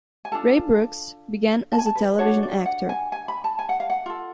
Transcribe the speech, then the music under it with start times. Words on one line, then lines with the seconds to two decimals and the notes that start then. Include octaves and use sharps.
Ray Brooks began as a television actor.
0.25 G#5
0.32 D4 F4 A4 A5
1.72 A5
1.79 G#5
1.86 A5
1.95 B4
2.19 D4 F#4 A4 C#5
2.43 D5
2.66 F#5
2.89 G#5
3.12 G#5
3.28 B5
3.44 A5
3.59 G#5
3.69 F#5
3.80 F5
3.90 F#5
4.06 F4 A4